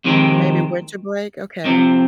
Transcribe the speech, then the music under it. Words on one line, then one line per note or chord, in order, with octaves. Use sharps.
Maybe winter break, okay.
F2 C3 D#3 G#3 C4
C2 C3 F3 C4